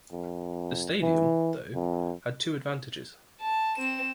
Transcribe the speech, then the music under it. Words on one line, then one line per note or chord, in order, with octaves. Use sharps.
The stadium, though, had two advantages.
F2
E3
F2
A5
C4 E7